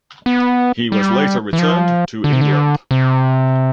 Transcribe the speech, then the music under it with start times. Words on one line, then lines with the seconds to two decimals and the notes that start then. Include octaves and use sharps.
He was later returned to England.
0.26 B3
0.92 G3
1.53 E3
1.59 F3
2.24 D3
2.33 C3
2.41 D3
2.91 C3